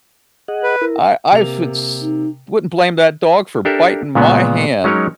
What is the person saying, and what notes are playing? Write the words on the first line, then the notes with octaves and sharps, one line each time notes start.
I I futz wouldn't blame that dog for biting my hand,
G#4 D#5 F#5
B4
E4 A#4
C3 A#3 F7
D#4
D4 G4 A4 A#4 E5
A#2 C#3 G#3 B3
F#3 G#3 C#4 D#4 A#4 C#5